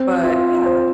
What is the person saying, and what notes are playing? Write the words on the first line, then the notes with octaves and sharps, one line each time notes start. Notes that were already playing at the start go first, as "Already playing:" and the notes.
but, yeah,
Already playing: C4
F4
C5